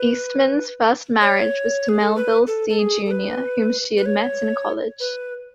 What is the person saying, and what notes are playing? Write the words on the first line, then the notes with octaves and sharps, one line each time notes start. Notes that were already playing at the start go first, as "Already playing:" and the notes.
Eastman's first marriage was to Melville See Junior whom she had met in college.
Already playing: B4
C#5
G#4
A4
B4
A4
A4
G#4
A4
B4
B4
C#5
B4